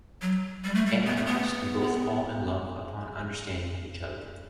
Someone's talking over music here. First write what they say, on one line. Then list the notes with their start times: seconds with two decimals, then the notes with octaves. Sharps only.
And at last they both fall in love upon understanding each other.
0.22 F#3
0.64 G3
0.75 A3
0.86 G3
1.06 B3
1.16 A3
1.26 B3